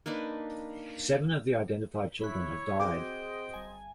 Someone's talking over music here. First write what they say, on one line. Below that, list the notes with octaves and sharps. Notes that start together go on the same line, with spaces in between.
Seven of the identified children have died.
A#3 D4 D#4 B4
E4 C#5 B5 F#6
C4 F#4 G#4 C5 D#5 G5 D6
G1 G#5